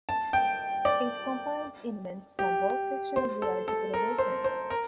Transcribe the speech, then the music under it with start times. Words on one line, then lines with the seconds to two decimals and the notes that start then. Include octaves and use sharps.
It combined elements from both fiction and reality television.
0.09 A5
0.33 G5
0.85 D5
2.39 G4
3.16 C5
3.42 A4
3.68 A4
3.94 A#4
4.18 C5
4.44 C5
4.70 A#4